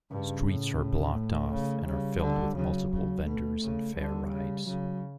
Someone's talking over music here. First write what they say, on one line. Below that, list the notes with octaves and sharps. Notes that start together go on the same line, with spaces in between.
Streets are blocked off and are filled with multiple vendors and fair rides.
G2 C#3
A2
A3
C#3
C#3 G3
D3
C#3 F#3
C#3
B2 A3
C#3
D3 G3
C#3
C#3 F#3